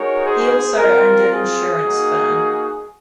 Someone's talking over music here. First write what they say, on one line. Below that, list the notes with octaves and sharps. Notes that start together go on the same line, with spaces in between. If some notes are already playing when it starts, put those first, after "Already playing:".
He also owned an insurance firm.
Already playing: G#3 D#4 F#4 A#4 C#5
G#4 C5
C4 F4 A#4
G#4
A#3 D#4 F#4